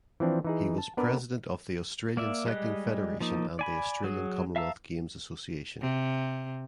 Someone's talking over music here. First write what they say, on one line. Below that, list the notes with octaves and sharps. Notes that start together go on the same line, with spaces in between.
He was President of the Australian Cycling Federation and the Australian Commonwealth Games Association.
E3 F3 C4 D4
E3 D#4 G#4
A5
B3 D4 A#4 B4 D5
A#3 D5 E5
G3 G#3 G4 D#5 F#6
F3 A#3 D#4
D5 G#5 B5
F#3 G#4
E5 F5 A5 A#5 E6
C3